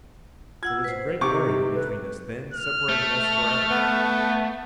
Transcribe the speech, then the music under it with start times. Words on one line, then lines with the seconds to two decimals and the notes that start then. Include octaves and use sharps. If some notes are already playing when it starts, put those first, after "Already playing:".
There was a great barrier between us then separating us forever.
0.63 F4 F#5 E6 G#6
0.84 B4 C5
1.21 C3 D#4 G4 C#6 D6
1.74 A4 B4
2.53 F6
2.89 A3
3.70 B3